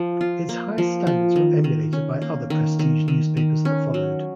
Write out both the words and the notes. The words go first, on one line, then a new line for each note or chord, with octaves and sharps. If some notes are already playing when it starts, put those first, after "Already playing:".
Its high standards were emulated by other prestige newspapers that followed.
Already playing: F3
F4
A#3
F3
F3
D#3
D#3
C#4
A#3
D#3
D#3
D#3
D#3
C#4
F#3